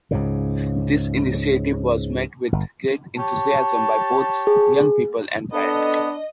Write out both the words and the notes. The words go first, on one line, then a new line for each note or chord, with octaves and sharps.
This initiative was met with great enthusiasm by both young people and parents.
C#2 G#2 C#3
G1
G4 C#5 A5
G#4
B3 D4 A4 D#5